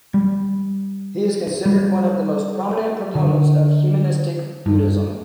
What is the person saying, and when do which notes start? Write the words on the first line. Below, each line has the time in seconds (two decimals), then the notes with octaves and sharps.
He is considered one of the most prominent proponents of Humanistic Buddhism.
0.14 G3
1.66 G3
3.15 D3
4.66 G2